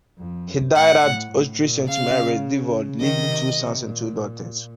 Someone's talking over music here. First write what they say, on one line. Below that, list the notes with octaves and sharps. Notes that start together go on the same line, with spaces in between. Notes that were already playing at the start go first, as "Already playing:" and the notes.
He died at Ottery Saint Mary, Devon, leaving two sons and two daughters.
F2
F#2
A2 F#5
A2
A2
A#2
C#3 F5
D#3 D#5
C3
C3
A#2